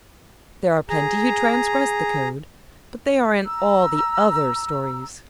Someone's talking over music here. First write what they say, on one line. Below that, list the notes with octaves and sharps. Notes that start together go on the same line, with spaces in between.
There are plenty who transgress the code, but they are in all the other stories.
G#4 A#5
A#5 E6